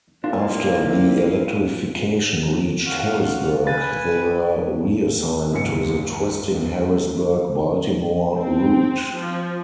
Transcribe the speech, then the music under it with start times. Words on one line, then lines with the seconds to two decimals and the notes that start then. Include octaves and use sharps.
After the electrification reached Harrisburg, they were reassigned to the twisting Harrisburg-Baltimore route.
0.24 C2 A#3 D4 E4 F4 F5
2.85 F4 F#4 F5
3.66 B4 F5 G#5 B5 A6
5.52 F#1 C#2 G#2 G#5 C#7
8.38 C4
9.16 F3